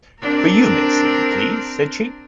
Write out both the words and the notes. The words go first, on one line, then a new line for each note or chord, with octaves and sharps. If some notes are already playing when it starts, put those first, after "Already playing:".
"For you, miss, if you please," said she.
C4 D4 A#4